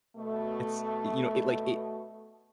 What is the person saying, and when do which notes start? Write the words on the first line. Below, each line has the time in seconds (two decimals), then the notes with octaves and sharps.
It's, you know, it, like, it
0.16 B2 A3